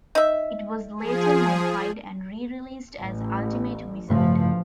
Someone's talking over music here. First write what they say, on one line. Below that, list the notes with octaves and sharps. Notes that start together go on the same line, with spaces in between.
It was later modified and re-released as Ultimate Wizard.
D#4 E5
F3 G#4
A1
A1 G2 C#3 F3 A3